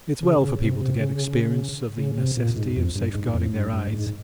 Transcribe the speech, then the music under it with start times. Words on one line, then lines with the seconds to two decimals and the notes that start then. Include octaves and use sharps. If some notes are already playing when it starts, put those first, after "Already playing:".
It's well for people to get experience of the necessity of safeguarding their eyes.
0.23 C#3
0.42 C#3
0.61 C3
0.81 C3
1.00 C#3
1.98 C#3
2.18 C3
2.37 A#2
2.56 G#2
2.76 F2
2.96 G2
3.15 G#2
3.34 F2
3.54 G2
3.74 G2
3.93 G#2